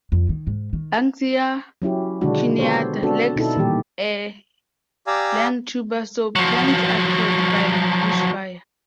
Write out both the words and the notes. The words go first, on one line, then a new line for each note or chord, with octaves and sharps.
"Banksia cuneata" lacks a lignotuber, so plants are killed by bushfire.
F2
D#3
G#2
D#3
F#3 C#4 E4 G4
B2 D3 D#3 G#3 D4 F#4
B3 G4 A4 C5 C#5
B3 C4 D4 F#4 A4
B2 D#4 E4 A4
A#2 D#3 E3 G3 G4
G4 D5 F5 G#5 A#5 E6
F3 F#3